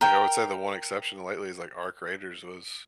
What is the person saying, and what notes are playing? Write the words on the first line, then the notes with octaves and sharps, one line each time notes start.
Like, I would say the one exception lately is, like, ARC Raiders was
A#4 G5